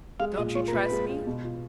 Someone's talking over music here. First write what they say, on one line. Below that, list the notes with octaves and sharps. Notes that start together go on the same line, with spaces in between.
Don't you trust me?
G#3 F5
A#2 D#5
F4 C#5
A#4
A#2 B4
G#3
F4
B2
F4